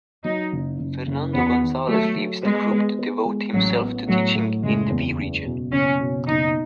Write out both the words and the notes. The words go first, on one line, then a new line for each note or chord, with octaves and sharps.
Fernando González leaves the group to devote himself to teaching in the V Region.
F#3 D#4
F#1
F#1
F#1
E2 B3
D#3
F#3 A3
F#3
G#3 B3
B3
B3
G#3
A1 F#3
B3
A2 F#3
A2
F#1 G#3
E2
F#1
B2
F#1 C#4
B2
F#1 D#4